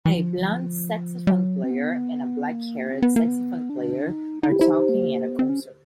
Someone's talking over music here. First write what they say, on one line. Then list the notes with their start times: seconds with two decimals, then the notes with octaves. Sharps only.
A blond saxophone player and a blackhaired saxophone player are talking at a concert.
0.06 E3
0.12 F3
1.27 G3
1.32 F#3
1.64 C4
1.71 B3
2.50 A#3
2.90 C4
3.02 B3
3.16 A#3
3.28 B3
3.70 D4
4.10 D#4
4.43 D#4
4.50 E4
4.61 E4
4.69 D#4
4.89 A#3
5.29 B3
5.39 C4
5.49 C#4